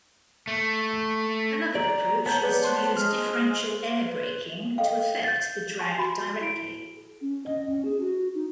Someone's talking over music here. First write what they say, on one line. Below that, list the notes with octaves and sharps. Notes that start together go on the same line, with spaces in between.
Another approach is to use differential air braking to affect the drag directly.
A3
D5 A#5
B3 C#5 A5 G6
G#4 B4 D5
C5 A5 C6 F#6
G#3 F6
B4
A4 D#5 F5 G5
G6 A6
G#5 A5 C#6
F#4 B5
E4 D7
C#4
D#5
C#4
G#4
F#4
D#4